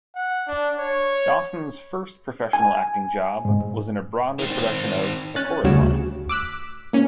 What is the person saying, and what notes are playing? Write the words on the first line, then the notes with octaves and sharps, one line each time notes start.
Dawson's first professional acting job was in a Broadway production of "A Chorus Line".
F#5
D4
C#5
G#5
G#2
D#3 C4
C#4 F#6 A6
D2 C#3 G3 F#4 C#5 E7
D6 E6 F#6 B6
A#3 C#4